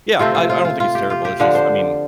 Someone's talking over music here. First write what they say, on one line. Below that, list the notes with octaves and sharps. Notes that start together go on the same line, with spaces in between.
Yeah. I I don't think it's terrible. It's just I mean,
C3 A3 C4 F4
F4
F4
F4
F4
G4
F4
G4
D3 F3 D4 F5
C5